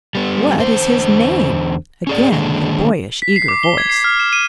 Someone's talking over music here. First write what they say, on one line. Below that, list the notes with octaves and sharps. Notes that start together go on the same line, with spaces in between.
"What is his name?" Again the boyish, eager voice.
G3 B3
E2 D3 C5
C#4 G#4 D5
D3 D#3 G#3 A#3 D4
B6
C7
D6
G7
G#6
C7
F6
E7
D#7